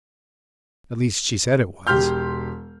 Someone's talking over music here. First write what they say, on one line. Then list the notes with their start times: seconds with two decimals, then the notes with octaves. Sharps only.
At least she said it was.
1.87 E1 G4 C6 F6 G6